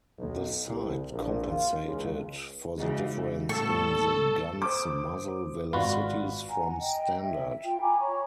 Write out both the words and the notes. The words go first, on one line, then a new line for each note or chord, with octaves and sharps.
The sight compensated for the difference in the gun's muzzle velocities from standard.
B1
C2
A#1
F4
C#2
C#3 E3 G#3 D#4 F#4
A2 G3 B3 A4 C#6
C5 D6 D#6
G#1 F4 F#4 B4 D5 B5
F#5 G#5 A#5
D#5 G5
E5
F4 G5
G#5 A#5 B5 D6
C#5 A#5 C#6